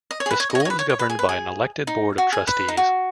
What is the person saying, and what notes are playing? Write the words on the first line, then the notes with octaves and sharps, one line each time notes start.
The school is governed by an elected Board of Trustees.
D#5
C#5
G#4
B4
C#5
D#5
C#5
D#5
C#5
B4
C#5
C#5
B4
G#4
B4
G#4
D#4
F#4
G#4
B4
D#4
F#4